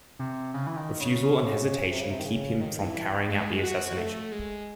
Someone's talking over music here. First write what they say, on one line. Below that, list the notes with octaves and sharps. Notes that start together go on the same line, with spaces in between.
Refusal and hesitation keep him from carrying out the assassination.
C3
C#3
E3
D#3
C#3
C#3
C3
C#3
C3
D#3
C#3
D#3
E3
G#3
F#4
A3
G#3